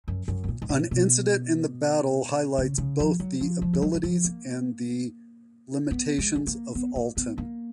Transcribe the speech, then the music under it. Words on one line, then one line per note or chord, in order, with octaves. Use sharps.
An incident in the battle highlights both the abilities and the limitations of Alten.
F#2
F#2
B2
A#2
G#2
A#2
B2
C#3
C#3
F3
F#3
F3
F3
G#3
F#3
F#3
F3
A#3
B3
G#3
G#3
A#3
B3
A#3
B3
A#3